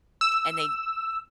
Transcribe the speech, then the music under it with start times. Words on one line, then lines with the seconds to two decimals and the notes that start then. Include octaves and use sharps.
and they
0.21 E6